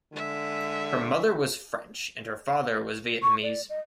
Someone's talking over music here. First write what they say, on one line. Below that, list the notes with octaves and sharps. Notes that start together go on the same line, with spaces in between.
Her mother was French and her father was Vietnamese.
D3 G#3 E5
C#6
D5
D#5